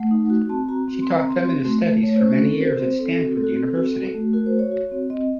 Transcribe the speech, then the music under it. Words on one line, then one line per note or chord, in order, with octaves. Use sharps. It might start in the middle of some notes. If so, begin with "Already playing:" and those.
She taught feminist studies for many years at Stanford University.
Already playing: A3 F#5
D#4
F#4
C4 A5
F#4 A#5
C4
C6
C4
A#5
C4 C6
F#4
A3
A3
A3 C#5
C5
C#4
F#4
C4 A4
A#4
F#4 C5
C4 C5
C4 A4
A4
C4 F#4
A4
C4
F#4
C4 A4
F#4
F#4
A3
F#4 A#4
C5
F#4
C#5
F#4
C4
C4 D#5